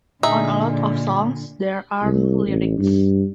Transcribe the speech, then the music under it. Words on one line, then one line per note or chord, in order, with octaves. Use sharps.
On a lot of songs, there aren't lyrics!
A#2 D3 D#4 G#4 E5
C2
A1
G2